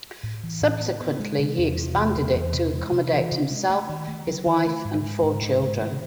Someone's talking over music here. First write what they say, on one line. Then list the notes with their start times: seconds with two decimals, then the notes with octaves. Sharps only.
Subsequently, he expanded it to accommodate himself, his wife and four children.
0.23 A2
0.43 E3
0.62 A2
0.81 B3
1.01 B3
1.20 G#3
1.38 C3
1.58 E2
1.78 C3
1.96 E2
2.16 E2
2.35 E2
2.54 C3
2.73 G#3
2.92 C3
3.12 E3
3.31 C3
3.51 G#3
3.70 A3
3.89 D#3
4.08 A3
4.27 F#3
4.46 D#3
4.65 A3
4.85 G#2
5.04 G#3
5.23 G#2
5.42 G#2
5.62 G#2
5.80 D#3